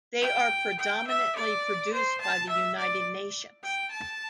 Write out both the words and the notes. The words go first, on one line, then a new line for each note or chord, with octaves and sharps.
They are predominantly produced by the United Nations.
G5
G5
E5
D5
C5
A5
E5
D5
G5
A5